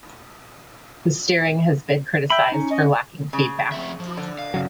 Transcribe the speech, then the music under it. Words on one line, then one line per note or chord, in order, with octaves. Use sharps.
The steering has been criticised for lacking feedback.
E5 G5 B5
C#4 D#4
D#5
C#3
F3 C4 E5
F3
D3
F5
G1 C#3 F#3